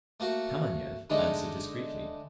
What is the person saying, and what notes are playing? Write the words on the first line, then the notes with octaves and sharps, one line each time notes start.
Kameniev answered discreetly.
A3 A#3 F#4
D3 G#3 A3 D4 D#4